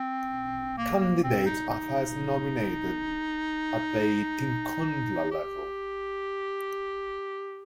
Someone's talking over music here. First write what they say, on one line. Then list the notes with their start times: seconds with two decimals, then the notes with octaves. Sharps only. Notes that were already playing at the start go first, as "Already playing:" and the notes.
Candidates are first nominated at the "tinkhundla" level.
Already playing: C4
0.78 A#3
1.01 A#3
1.23 C4
1.46 D#4
1.69 D#4
5.31 G4